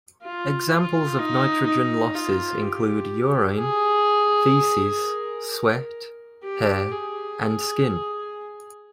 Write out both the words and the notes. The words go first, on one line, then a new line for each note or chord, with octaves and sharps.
Examples of nitrogen losses include urine, feces, sweat, hair, and skin.
F4
F4
D#4
D#4
F4
G4
G#4
A#4
G4
G#4